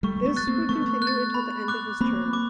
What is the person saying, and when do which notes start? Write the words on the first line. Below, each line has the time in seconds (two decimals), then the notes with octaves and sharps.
This would continue until the end of his term.
0.03 G3 A3 C#6
0.25 A3 B3
0.36 F#6 A6
0.47 A#3 C4
0.69 A3 B3 C#6
1.02 F#6
1.07 A6
1.34 B5
1.68 D6 F#6
2.01 A#3 C4 B5
2.33 D6